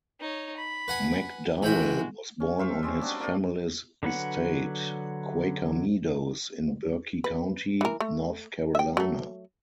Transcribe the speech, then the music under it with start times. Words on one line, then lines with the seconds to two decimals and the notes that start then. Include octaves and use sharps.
McDowell was born on his family's estate, "Quaker Meadows", in Burke County, North Carolina.
0.20 D#4 C#5
0.57 B5
0.88 B4 F#5 G#5
1.63 E3 G#3 F#4 G5 B5
2.40 C#4
2.59 C5 E5 F5 C#6
2.83 G3 G#3 C4 C#4
3.02 D4 F#4
3.19 A#3 D5 F5
4.03 D3 F#3 B4 F#5
7.24 B4
7.81 E3 A#4
8.01 A3
8.75 E5 G5
8.97 F#3 A3